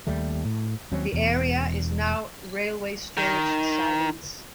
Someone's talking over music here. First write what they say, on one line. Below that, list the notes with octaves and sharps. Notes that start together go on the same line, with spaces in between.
The area is now railway storage sidings.
D#2 G3 A3
A2
D#2 F#3 C4 C#4
E1 E2
D#3